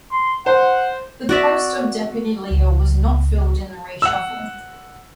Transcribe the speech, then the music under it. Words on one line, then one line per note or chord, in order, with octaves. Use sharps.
The post of deputy leader was not filled in the reshuffle.
C6
C5 F#5
C4 F#4 D5 E5
C#2
F#5 E6